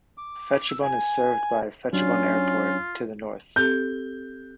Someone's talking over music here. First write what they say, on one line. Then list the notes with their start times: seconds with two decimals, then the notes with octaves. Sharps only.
Phetchabun is served by Phetchabun Airport, to the north.
0.18 D6
0.69 E6
0.82 G#5
1.93 F#3 C#4 D4 F4
3.56 C4 G4 A4 G6